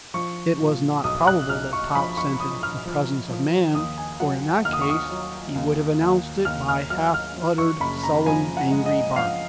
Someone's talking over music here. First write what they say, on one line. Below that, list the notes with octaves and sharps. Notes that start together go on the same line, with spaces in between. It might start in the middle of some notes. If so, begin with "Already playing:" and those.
It was not probable that Top scented the presence of man, for in that case, he would have announced it by half-uttered, sullen, angry barks.
F3 C#6
A#2
B1 D#6
F#6
B1 F6
C#6
F3 B5
C#6
F3 D#6
F6
F3
F3
D#2 D#6
G#5
F#3 F#5
D#2 F6
D#6
C#6
D#6
F#3
D#2
D#2
D#2 F6
F6
F#3 F6
F6
F3
C#6
F#1 B5
A#5
F3 G#5
F#5
G#3
D#5
F3 F5